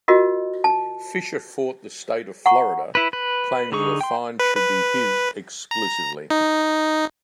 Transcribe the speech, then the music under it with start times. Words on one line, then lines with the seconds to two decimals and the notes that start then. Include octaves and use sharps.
Fisher fought the State of Florida, claiming the find should be his, exclusively.
0.08 F4 F#4 A#4 D#5
0.64 A5
2.46 F#5 A#5 C#6
2.95 E4 B4
3.13 B4
3.72 D3 D#4 G#4 C#6
4.01 G5 C6
4.39 B4
4.55 B4
5.71 A#5
6.30 D#4